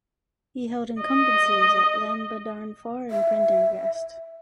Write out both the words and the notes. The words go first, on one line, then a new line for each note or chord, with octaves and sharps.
He held incumbencies at Llanbadarn Fawr and Prendergast.
D#5
E5